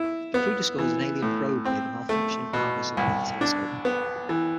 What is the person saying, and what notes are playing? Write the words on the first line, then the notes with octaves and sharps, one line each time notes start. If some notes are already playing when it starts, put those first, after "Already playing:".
The crew discovers an alien probe near the malfunctioning Argus Array telescope.
Already playing: E4
B3
E3
A2
C4
A3
B2
C2
D4
B3
E3